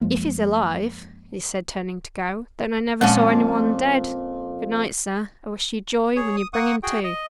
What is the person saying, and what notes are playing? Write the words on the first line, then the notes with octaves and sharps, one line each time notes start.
"If he's alive," he said, turning to go, "then I never saw any one dead! Good night, sir, I wish you joy when you bring him to."
F#2 F3 G#3 A#3
F2 A#2 G#3 C#4
G#4 C#5
D#6
A#3 F#5 C#6 D#6
F#4 G#4 G5
D#5